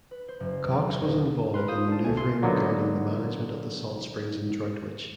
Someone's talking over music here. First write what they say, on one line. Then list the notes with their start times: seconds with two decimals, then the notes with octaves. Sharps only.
Cocks was involved in manoeuvring regarding the management of the salt springs in Droitwich.
0.11 B4
0.28 C5
0.40 F#1
0.64 E2
1.01 D#1
1.54 A#4 B4 C6
1.68 F4 C5 F5 D#6
1.88 D4 A5
2.05 C2 B2 D3 A3 D4 G#5
2.17 C6
2.43 D3 F#3 A#3 B3 D#4 F#4